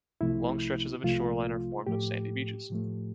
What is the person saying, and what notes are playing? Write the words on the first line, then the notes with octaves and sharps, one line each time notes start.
Long stretches of its shoreline are formed of sandy beaches.
C2 C3 F3 A3 E4
C2 C3 F3 A3 F4
A2 F3 A3 G4
A2 F3 A3